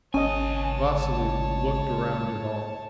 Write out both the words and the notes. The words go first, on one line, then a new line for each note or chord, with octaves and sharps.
Vasily looked around at all.
G#1 C#2 C#4 C#5 D#5 G#5 A5